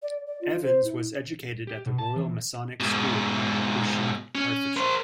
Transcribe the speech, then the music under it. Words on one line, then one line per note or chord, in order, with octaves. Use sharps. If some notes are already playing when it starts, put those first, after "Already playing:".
Evans was educated at the Royal Masonic School in Bushey, Hertfordshire.
D5
D5
F4
C5
E4
G4
B2
A5
E3
G#2 B2
C#4
A#4 C5